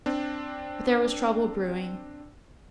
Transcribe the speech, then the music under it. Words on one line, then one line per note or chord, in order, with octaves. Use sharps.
But there was trouble brewing.
C4 D4